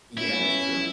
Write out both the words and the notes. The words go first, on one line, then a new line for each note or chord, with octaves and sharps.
Yeah, that's true.
B3 C#4 E4